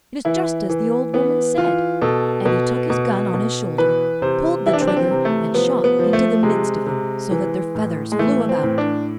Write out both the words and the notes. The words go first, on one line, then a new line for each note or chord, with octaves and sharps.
It is just as the old woman said'; and he took his gun on his shoulder, pulled the trigger, and shot into the midst of them, so that their feathers flew about.
E3 E4
E3
E3 B3
E3 F4
B2 A4
B2
B2
B2
E3 B4
C3 C5
E3 E4
D4
C4
D4
C4
C3
A3
F3 B3
B3
F3
A3
C3 G#3
C3
E3
A2
G#3
E3 A3
C4
A2
D4